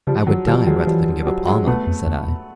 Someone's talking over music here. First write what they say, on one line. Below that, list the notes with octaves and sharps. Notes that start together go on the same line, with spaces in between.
"I would die rather than give up Almah," said I.
C#3 F3 G3
D#3 F#3
D3 F3 G3
D#3 F#3 G#3
E3 F3 G3
G3
F#3
F#3 G#3
B2 A3 B3
F2
E2
E2